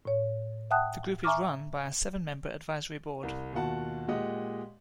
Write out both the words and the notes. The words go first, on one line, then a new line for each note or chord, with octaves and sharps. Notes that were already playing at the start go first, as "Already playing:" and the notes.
The group is run by a seven-member advisory board.
A2 C#5
E5 F#5 G5 A5 D#6 F#6
E5 G#5 A#5 C#6 D6 F6
C2
D#2 B2 F4 F#4 F#5 A5
A#2 G#3 G4 D#5 F#5